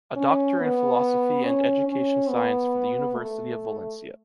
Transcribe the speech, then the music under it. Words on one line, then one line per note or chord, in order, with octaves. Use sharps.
A Doctor in Philosophy and Education Science for the University of Valencia.
C#4
B3
C#4
C#4
B3
A3